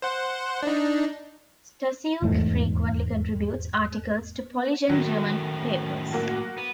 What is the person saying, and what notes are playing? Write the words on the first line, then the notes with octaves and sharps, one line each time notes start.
Stasiuk frequently contributes articles to Polish and German papers.
C5 F#5
D4 D#4
D#1 E2 G#2 A3
F#2 A2 D#3 F#3
F#3 A#3 F#4
B3